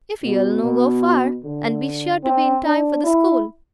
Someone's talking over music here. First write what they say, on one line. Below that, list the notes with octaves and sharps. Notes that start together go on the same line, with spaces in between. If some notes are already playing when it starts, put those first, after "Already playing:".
"If ye'll no go far, and be sure to be in time for the school."
B2
B2
D3
C4
D4
E4